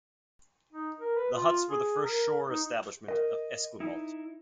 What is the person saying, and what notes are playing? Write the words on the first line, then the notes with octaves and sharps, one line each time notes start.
The huts were the first shore establishment at Esquimalt.
D#4
A#4
B4
F4
G#4
A#4
D#4
A#4 D#5
D#4 E4